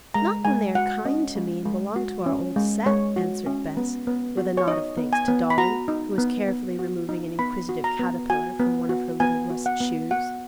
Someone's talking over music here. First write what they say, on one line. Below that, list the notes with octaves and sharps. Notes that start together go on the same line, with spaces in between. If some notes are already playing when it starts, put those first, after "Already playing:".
'Not when they are kind to me, and belong to our old set,' answered Bess, with a nod of thanks to Dolly, who was carefully removing an inquisitive caterpillar from one of her little russet shoes.
G#3 A#5
G#3 G#5
F#4 F#5
C#4 D#5
G#3
G#3
F#4
C#4
G#3
G#3 C#5
F#4
C#4
B3
B3
F#4
C#5
D#4 D#5
B3
G#5
B3
B5
F#4 A#5
D#4
B3
B3
F#4
D#4
B3 B5
F#4
A#5
B3
F#4 G#5
B3
F#4
B3 G#5
F#4
F#5
B3
F#4 F#5